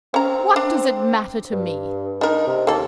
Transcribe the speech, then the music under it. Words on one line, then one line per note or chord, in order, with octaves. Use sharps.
"What does it matter to me?"
C4 C#4 A#5
D4
G2
D4 D#4 A#4
C3
D#2 A#3 A4